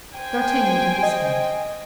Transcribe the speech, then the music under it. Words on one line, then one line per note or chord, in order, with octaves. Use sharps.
D'Artagnan took his hand.
C5 G5 G#5
D#5